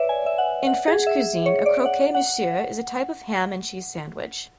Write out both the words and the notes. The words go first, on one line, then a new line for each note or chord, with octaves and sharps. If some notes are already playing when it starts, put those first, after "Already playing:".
In French cuisine, a croque-monsieur is a type of ham and cheese sandwich.
Already playing: B4 C#5 D5 E5
G#5
E5
F#5
F#5
G#4
E5
C#5
D5
F#5
F#5